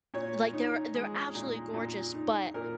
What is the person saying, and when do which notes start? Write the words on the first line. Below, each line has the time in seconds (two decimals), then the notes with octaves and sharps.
Like, they're they're absolutely gorgeous, but
0.14 A#2 C#5
0.53 D#4
0.94 G#3
1.35 A#2
1.74 A#2
2.14 D#4
2.54 A#2 A#4